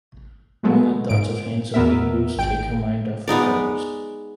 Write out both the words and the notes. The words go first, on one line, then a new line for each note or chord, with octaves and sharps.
Only thoughts of handsome Hebrus take her mind off her troubles.
F#3 G#3 A3 B3
G#2 D7
E2 B2 B3 A#4 E5
G#1 G5 D7
G#3 B3 D#4 D5